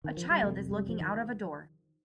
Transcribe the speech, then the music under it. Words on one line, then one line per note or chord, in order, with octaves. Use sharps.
A child is looking out of a door.
D#3
F3
G3
F2 C3 A3
G3
F3
D#3